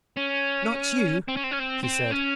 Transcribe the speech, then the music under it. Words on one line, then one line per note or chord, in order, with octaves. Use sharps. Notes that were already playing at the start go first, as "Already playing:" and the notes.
"Not you!" he said.
C#4
C4
C#4
C4
C#4
C4
C4
C#4